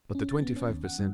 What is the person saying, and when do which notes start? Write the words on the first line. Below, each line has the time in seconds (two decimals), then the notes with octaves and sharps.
But the twenty-five per cent.
0.15 C#4
0.29 A6
0.42 B3
0.56 C#4
0.69 D#2
0.85 F#5
0.98 G2